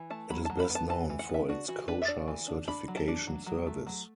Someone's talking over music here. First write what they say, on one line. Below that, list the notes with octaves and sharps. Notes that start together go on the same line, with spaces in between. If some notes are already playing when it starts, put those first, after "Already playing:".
It is best known for its kosher certification service.
Already playing: E3
A3 A5
F#3 B5
F#3 A5
B5
B3
A5
E3 A5
E3
F#5
B3 E5
D4 F#4
E3 F#4
D4 B4
E5
D4 D5
E3
D4
D4 B5
F#3
A5
D4
F#3
F#3
A3
F#3